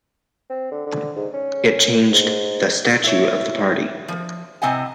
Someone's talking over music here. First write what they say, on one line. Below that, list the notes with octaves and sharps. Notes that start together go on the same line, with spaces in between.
It changed the Statute of the party.
C4
D3
D3
G#2
C#4
G#2
E4 C#5
F3
A2 C3 C4 D#5 F#5 G#5